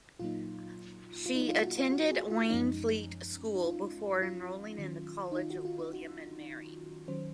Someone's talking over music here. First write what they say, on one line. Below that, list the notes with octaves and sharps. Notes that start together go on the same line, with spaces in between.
She attended Waynflete School before enrolling in the College of William and Mary.
A#2 F#3 A#3 D#4 F4
F4
D#4
F4
F#4
F4
F#4
G#4
F4
F#2 F3 G#3 C#4 D#4
D#4
F4
F4
D#3 F#3 C#4
D#4
F4
F#4
F4
D#4
F#4
D#3 F#3 C#4 C5